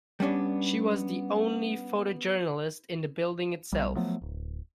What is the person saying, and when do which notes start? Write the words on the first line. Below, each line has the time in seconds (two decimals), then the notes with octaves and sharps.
She was the only photojournalist in the building itself.
0.20 G3 B3 C#4 D4
3.73 B1 G3
3.96 F3 F#3 A3 B3
4.22 D1